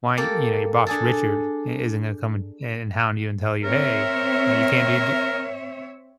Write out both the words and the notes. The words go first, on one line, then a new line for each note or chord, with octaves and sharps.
why" you know, your boss, Richard, i isn't gonna come and and and hound you and tell you, "Hey," you know, "you can't be do
A#3 G4 A4
D4 G#4 A4
C4 A#4 C#5 E5